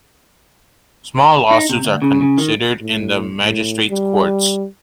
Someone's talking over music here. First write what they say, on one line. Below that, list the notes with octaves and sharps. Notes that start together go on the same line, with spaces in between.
Small lawsuits are considered in the Magistrates' Courts.
D#4
C3
D2
C#3
C#3
D#3
A2
A2
G3